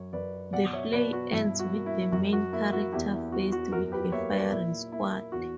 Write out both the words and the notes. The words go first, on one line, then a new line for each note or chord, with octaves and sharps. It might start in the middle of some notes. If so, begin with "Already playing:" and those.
The play ends with the main character faced with a firing squad.
Already playing: F#2 C#5
F#2 B4 D5
B2 D5 F#5
C#5 E5
B2 B4 D5
F#4
G2 E4
F#4
A#3
E4
F#2 F#4
F#4
A#3 E4
F#4
E2 E4 G4
E4
E2 F#4
F#4
F#2 F#4 A#4
G4 B4
A#3 C#5 E5
B4 D5
A#2 E4
A#3 E4
E2 F#4